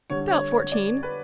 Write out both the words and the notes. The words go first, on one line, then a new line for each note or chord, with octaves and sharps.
"About fourteen."
D3 G3 C#5
C#5
C#5
D5
B4